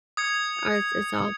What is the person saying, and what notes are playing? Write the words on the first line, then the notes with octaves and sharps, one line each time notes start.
Uh, it's it's all
D#6 G#6 C#7